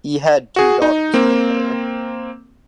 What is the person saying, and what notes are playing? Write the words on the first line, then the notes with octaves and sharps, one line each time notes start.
He had two daughters with her.
F#4 G#4
D#4
A#3 C4